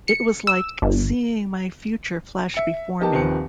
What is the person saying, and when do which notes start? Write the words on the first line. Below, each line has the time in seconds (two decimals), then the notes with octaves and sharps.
It was like seeing my future flash before me.
0.08 C#7
0.47 E6
0.82 G1
2.54 E5 C#7
3.00 B3 D#4 G4 A#4 A5
3.13 D#1 D#3 F3 C4 B4 C#7